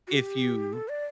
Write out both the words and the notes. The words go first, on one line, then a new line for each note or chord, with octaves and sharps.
if you
F#4
G4
A4
D5